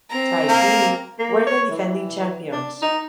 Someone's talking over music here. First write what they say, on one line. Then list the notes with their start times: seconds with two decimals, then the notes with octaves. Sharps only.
Tahiti were the defending champions.
0.10 C4 A#5
0.49 A#3
1.19 A#3
1.47 C#5
1.71 E3
2.52 D4
2.82 D#4